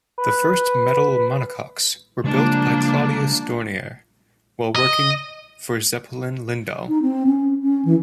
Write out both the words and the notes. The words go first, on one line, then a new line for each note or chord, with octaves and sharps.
The first metal monocoques were built by Claudius Dornier, while working for Zeppelin-Lindau.
B4
C#3 F3 G3 G#3 A#3 D4
D#5
D#4
C4
C#4
C#4
E3